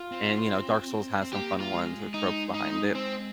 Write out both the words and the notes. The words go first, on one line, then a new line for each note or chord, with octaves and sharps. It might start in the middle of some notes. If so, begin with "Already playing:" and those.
And, you know, Dark Souls has some fun ones or tropes behind it.
Already playing: F4
C4
C4
A#3 G4
F4
G#3
D#4
D#4
C4